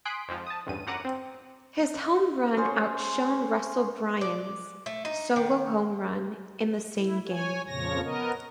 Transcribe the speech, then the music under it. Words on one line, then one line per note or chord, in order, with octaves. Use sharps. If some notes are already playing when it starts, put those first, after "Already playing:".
His home run outshone Russell Branyan's solo home run in the same game.
G#5 C6 D#6 F#6 B6 D7
F2 G#2 F3
A5 D#6
A1 E2 G2 D#7
G1 F#2 F#5 A#5 D6 D#7
C4
C#4 G#4 C5 C#5
D5
A3
D#4
D#3
E4
C#5 G#5
F2 A#2 C#3 F3 C#5 A#6
B3 A#4 D#5